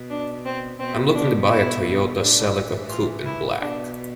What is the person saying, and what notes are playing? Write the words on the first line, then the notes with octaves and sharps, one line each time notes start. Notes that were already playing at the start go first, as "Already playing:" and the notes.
I'm looking to buy a Toyota Celica Coupe in black.
Already playing: B2
D4
C4
B2 C4
D4
E4
A2 E3 D4
F4
E4
B2 D4